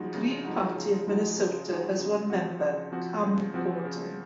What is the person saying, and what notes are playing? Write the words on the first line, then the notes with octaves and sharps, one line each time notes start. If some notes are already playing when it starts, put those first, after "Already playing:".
The Green Party of Minnesota has one member, Cam Gordon.
Already playing: C#3 F3 G#3 D#4 F#4
C#3
F3 G#3 D#4 F#4
C#3
F3 G#3 D#4 F#4
C#3
F3 G#3 D#4 F#4
C#3
F3 C4 F#4
C#3
F3 C4 F#4
C#3
F3 C4 F#4
C#3